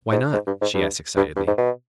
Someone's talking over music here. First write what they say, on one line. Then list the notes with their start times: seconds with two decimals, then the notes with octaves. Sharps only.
"Why not?" she asked excitedly.
0.12 G#2
0.33 G#2
0.47 G2
0.61 G#2
0.74 G2
1.17 G2
1.36 G2
1.47 G#2
1.57 B2